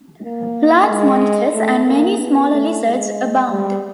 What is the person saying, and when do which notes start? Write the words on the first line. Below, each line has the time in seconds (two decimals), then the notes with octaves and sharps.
Large monitors and many smaller lizards abound.
0.24 A#3
0.89 G#3
1.54 A3
1.86 A#3
2.19 B3
2.52 A3
2.84 G#3
3.49 G3